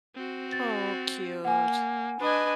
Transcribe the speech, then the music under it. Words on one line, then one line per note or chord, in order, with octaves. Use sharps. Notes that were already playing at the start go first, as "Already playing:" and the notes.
Oh, cute,
C4 F#4
A6
A#3 F#5 G#5
D4 B4 D#5 G#5